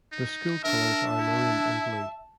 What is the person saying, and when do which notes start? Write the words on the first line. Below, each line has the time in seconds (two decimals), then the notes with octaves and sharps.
The school colors are maroon and blue.
0.12 D#4
0.64 D4 A#4 E5 A5
1.19 E4